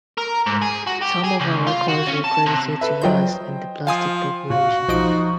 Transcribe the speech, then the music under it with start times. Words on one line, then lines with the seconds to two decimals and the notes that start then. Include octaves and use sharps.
Some of her records were credited to Yazz and The Plastic Population.
0.18 A#4
0.47 G#2
0.62 G#4
0.87 F#4
1.02 G4
1.24 G#4
1.40 C#2
1.67 F4
1.88 F#4
2.07 C#4
2.24 A5
2.46 C3
2.81 A4 B4 E5
3.01 F#3 F4 C5 D#5 G5 G6
3.87 F3 F5 G#5 D#6
4.50 A#2 F#4 F5
4.88 B1 F3 D#4 D#5 D7